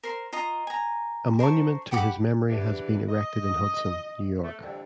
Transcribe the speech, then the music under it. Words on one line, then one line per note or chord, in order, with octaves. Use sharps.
A monument to his memory has been erected in Hudson, New York.
A#4 C5 C6
F4 D#5 A#5 D#6
G#5 A#5
A#4 C5 A5 C#6
G4 F#5 B5 D6
E2 E3 D4 G4 B4
D#5
A3
F2 A2 D3 E3 G3